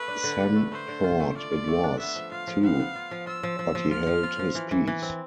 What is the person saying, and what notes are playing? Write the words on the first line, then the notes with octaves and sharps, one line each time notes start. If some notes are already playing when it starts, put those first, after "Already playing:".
Sam thought it was, too, but he held his peace.
Already playing: A3 B4
D4
D3
D4
A3
A3 C5
D3
F4
A3
F4 D5
F4
A3
D4
B3 E5
F3
F4 F5
F3
B3 F5
B3
F4
F3
F4 E6
F3
F3
F3
F4 F6
F3
F4
F3
E3
E3
E3
C4